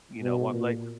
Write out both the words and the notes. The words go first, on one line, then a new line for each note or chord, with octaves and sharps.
You know, what, like
B2
A#2